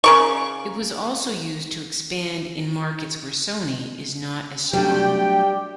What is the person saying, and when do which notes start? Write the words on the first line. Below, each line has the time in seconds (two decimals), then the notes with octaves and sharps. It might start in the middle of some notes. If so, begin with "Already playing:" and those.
It was also used to expand in markets where Sony is not as strong.
0.04 C#3 A#4 C#6
4.73 F#3 G3 A3 D4 G4 G5